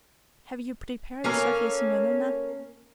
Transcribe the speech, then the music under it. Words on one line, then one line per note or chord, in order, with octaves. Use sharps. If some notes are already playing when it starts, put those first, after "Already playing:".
"Have you prepared Sofya Semyonovna?"
A#3 C#4 A4 A#4